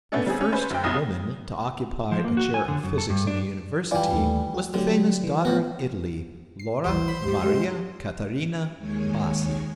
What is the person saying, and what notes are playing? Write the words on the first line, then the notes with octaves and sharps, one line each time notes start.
The first woman to occupy a chair of physics in a university was the famous daughter of Italy, Laura Maria Catarina Bassi.
A3 B3 C#4 D4 A4
G3 C4 G#4
C#4
C#4 B4 C5
F#2 G5
B1 F2 D#6 A#6
F3
A#3
F#4
G#5
D3
F#2
A4
G2
D4
E3 G3 F4 D5 G#5
D#2 D#3 A3
F#4
D3 F#3 A3 G4
E3
A2 B3 F#4
C7
A1 D#2 E3 G3 C5 C6
B5 B6
D2 G3 G4
G#3 G4 F5 G5
D#2 D#3 G#3 C#5 G#5